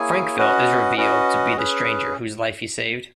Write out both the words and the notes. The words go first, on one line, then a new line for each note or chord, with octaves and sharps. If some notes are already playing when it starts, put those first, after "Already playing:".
Frankville is revealed to be the stranger whose life he saved.
Already playing: A#3 E4 G#4 C#5 G#5
C#4 F#4 B4 D#5 F#5
C#4 F#4 B4 D#5 F#5
C#4 G#4 B4